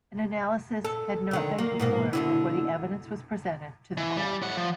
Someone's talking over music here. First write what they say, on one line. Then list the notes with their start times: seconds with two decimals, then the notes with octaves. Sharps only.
An analysis had not been performed before the evidence was presented to the court.
0.85 A4
1.31 F2 D3 D#3
1.58 A#3
1.79 G#2 B2 A#3
2.13 B2 D3 E4
3.97 E3
4.17 G3
4.42 A2 F#5
4.57 F3